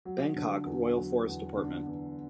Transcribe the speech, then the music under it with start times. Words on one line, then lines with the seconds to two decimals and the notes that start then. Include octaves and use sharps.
Bangkok: Royal Forest Department.
0.05 F#3
0.36 D3
0.66 E2
0.96 F#3
1.27 E2
1.57 D3
1.87 E2